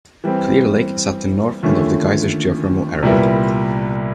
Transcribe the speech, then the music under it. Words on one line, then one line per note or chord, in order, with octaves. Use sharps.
Clear Lake is at the north end of The Geysers geothermal area.
E3 G3 C4
D#2 D3 F3 A3 C#4
C2 A#2 G3 B3 E4